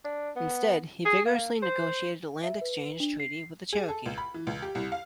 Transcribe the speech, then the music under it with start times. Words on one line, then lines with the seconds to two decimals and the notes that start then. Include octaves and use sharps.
Instead, he vigorously negotiated a land exchange treaty with the Cherokee.
0.05 D4
0.36 B3
1.05 G#4
1.26 A#3
1.62 C5
2.44 E5
2.61 B4
3.00 D4
3.20 C7
3.73 G#4
3.88 A4
4.06 C#2
4.18 B5
4.34 E3
4.47 C#2
4.62 G4
4.75 C2
4.92 F5